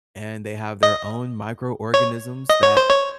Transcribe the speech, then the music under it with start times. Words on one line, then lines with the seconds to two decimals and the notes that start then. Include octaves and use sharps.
and they have their own microorganisms that
0.83 D#5
1.94 C#5
2.50 D#5
2.63 C#5
2.77 C5
2.90 C#5